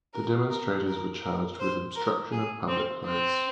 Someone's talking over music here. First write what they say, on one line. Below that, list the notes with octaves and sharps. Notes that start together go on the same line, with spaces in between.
The demonstrators were charged with obstruction of public place.
A#4
A#4
A#4
A#4
C5
A#4
G#4
C4
C4